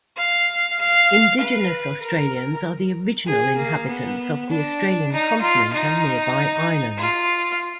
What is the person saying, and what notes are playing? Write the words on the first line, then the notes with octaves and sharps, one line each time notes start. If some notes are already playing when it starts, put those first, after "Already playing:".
Indigenous Australians are the original inhabitants of the Australian continent and nearby islands.
F5
F5
B4
A#4
G#4
A#3
B3
D4
D#4
F4
D#4
F4